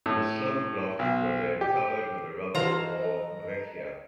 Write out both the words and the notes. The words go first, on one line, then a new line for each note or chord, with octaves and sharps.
The slump blocks were then covered with the rubble or "breccia".
A2
B1
G4
E3 F4 F#4 A4 C5 D#5 F5 A#5